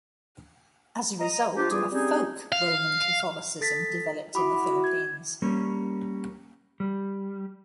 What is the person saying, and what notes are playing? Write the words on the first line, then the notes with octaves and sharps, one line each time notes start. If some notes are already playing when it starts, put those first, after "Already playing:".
As a result, a folk Roman Catholicism developed in the Philippines.
D#5 A#5
F3 D4 F4 G4
E2 G3 F4 G#4 D6
G3 C4 C#4 D#4 G#4
F5
A4 A6 B6
E4 F#4 B5 D6 D#6
G#6
G3 A#3 C#4
G3